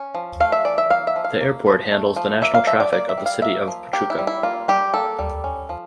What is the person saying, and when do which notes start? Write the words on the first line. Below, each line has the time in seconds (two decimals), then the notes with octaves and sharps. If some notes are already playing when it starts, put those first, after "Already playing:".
The airport handles the national traffic of the city of Pachuca.
Already playing: C#4
0.15 F3
0.40 A3 F5
0.52 E5
0.65 E3 D5
0.78 E5
0.90 A#3 F5
1.07 E5
1.16 F3
1.24 F5
1.41 A#3
1.66 F3
1.91 A3
2.16 F3
2.42 A#3 E5
2.54 F5
2.67 F3 E5
2.80 D5
2.92 A#3 D5
3.09 E5
3.18 G3
3.26 F5
3.42 A#3 E5
3.68 F3
3.93 A#3 G4
4.10 E4
4.19 G3
4.27 E4
4.43 A#3 F4
4.68 G3 G4
4.94 A#3 A4
5.19 G3
5.44 C#4
5.69 F3